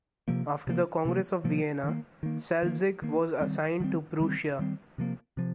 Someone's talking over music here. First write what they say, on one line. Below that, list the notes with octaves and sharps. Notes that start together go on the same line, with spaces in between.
After the Congress of Vienna Salzig was assigned to Prussia.
C3 F3 A#3
C3 F3 A#3
C3 F3 A#3
C3 F3 A#3
D#3 A#3
D#3 A#3
D#3 A#3
D#3 A#3
D#3 G3 C4
D#3 G3 C4
D#3 G3 C4
D#3 G3 C4
C3 F3 A#3
C3 F3